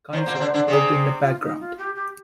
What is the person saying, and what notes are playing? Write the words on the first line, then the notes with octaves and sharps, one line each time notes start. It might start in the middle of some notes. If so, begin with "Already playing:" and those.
Keiser worked in the background.
D#2 D#3 C5
A#2 A#3
C4
D3 D4
D3 D4
C3 C4 G#4
F4
D#4
F4
G4
G4